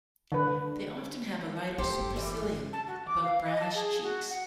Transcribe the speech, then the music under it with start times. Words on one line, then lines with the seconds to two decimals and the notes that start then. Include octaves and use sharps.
They often have a lighter supercilium above brownish cheeks.
0.32 D3 B4
1.78 A3 C#4 G4 A4 C5
2.00 G1
2.16 E3 G3
2.72 A5
2.87 F#4
3.06 D6
3.22 F5
3.45 D#5
3.60 A5
3.74 G#4
4.02 F#4
4.30 F#5